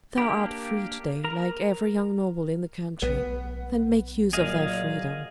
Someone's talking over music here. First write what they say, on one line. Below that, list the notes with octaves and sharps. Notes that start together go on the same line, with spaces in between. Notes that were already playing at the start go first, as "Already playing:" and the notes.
Thou art free to-day, like every young noble in the country; then make use of thy freedom.
A#3 D4 G4
A#4 A#5
B1 B3
A#2 F#3 G#4 D#5 F5